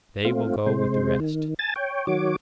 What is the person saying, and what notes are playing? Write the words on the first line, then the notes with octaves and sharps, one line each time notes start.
They will go with the rest.
A3 C4 F4
C3 G#3 C5
D#3
G#5 A5 A6
C#5 G5
D#3 F#3 F#4 C#5 D6